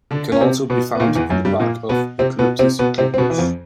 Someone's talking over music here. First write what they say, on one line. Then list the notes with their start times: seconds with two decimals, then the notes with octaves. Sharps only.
It can also be found in the bark of "Eucalyptus globulus".
0.11 D3 D4
0.32 C#4
0.41 C3 C4
0.70 B2 B3
0.95 B3
1.00 A#2 A#3
1.07 D#3
1.15 E2 E3
1.29 F#2 F#3
1.45 G2 G3
1.60 A#2 A#3
1.89 B2 B3
2.19 C3 C4
2.39 B2 B3
2.59 C3 C4
2.79 B2 B3
2.98 C3 C4
3.14 C4
3.18 B2 B3
3.30 E3
3.38 F2 F3